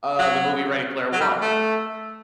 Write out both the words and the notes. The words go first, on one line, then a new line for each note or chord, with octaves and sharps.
Uh, the movie, Ready Player One.
F#3
F#3
G3
A3